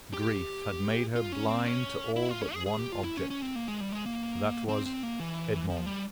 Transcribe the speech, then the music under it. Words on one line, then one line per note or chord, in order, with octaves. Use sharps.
Grief had made her blind to all but one object--that was Edmond.
G4
F4
C#4
C4
C#4
E4
F4
C#4
G#4
G#4
G4
F4
E4
C#4
C#4
C4
A#3
G#3
G3
G#3
A#3
C4
C4
A#3
E3
F3
G3